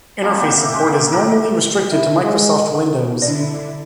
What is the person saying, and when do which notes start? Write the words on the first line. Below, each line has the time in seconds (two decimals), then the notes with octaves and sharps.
Interface support is normally restricted to Microsoft Windows.
0.22 F3 G3 A#3 C4
0.39 G4 F#5 G5
0.57 E5
0.73 G#3 A#4 C5
0.88 A#3
1.12 A#3 A#4 B4 D5
1.90 E4
2.22 G#3
3.22 D3 D4 E4 D5